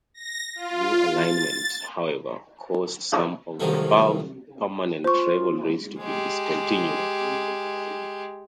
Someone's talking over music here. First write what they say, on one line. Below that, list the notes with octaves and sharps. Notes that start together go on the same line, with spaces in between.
The new alignment, however, caused some of the above permanent rivalries to be discontinued.
A#6
F4
A6
C2 D#3 F3 F#3 A3
F4 C5 C#6
G#3 G4